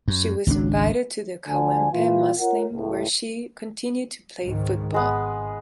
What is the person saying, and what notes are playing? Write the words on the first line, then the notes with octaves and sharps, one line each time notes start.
She was invited to the Kawempe Muslim where she continued to play football.
F#2
G#1 C#2 D3 D4
D2 D3 F3 G#5
A#2 E3 E4 F4
F4 A#4 C#5 F#5
C#2 A2
C#2 G#2 D#3
G#1 G#3 B3